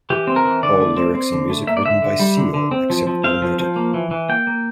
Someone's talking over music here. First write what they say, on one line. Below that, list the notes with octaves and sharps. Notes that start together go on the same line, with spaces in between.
All lyrics and music written by Seal, except where noted.
E3 G4
C4
A#4
E3
D3 D5
A3
C4
C4
D3
A3
A#3 E5
D5
D3 E5
D3
G3
D3
D3
C4
F3
F3
C4 F5
F3
F3
A#3
E3
E3
A#3 G5
A#3